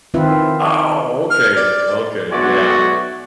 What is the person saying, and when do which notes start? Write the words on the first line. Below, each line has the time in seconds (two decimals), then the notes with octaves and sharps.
Oh, okay, okay, yeah.
0.14 D#3 C4 E4 F4 B4 E5
1.30 F6
1.56 D5
2.32 B1 G#3 A3 B3 F#4 D5 C#6